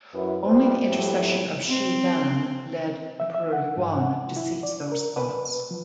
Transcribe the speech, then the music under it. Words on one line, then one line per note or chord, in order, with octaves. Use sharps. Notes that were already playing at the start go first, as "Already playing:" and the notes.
Only the intercession of Shi Dan led Emperor Yuan to cease those thoughts.
F#2 E4 B4
A2 G3 B3 F4 C5
F2 A2 F#3 B3 E4 G4
C4
E5
E5
F#5
G#2
F#5
E4
D5
A#4
B4
F3